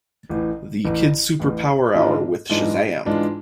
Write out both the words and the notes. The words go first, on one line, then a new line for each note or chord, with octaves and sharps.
The Kid Super Power Hour with Shazam!
A1 A2 E3
A1 A2 E3
A1 A2 E3
G#2 E3 G#3 D4 F4
G#2 E3 G#3 D4 F4
G#2 E3 G#3 D4 F4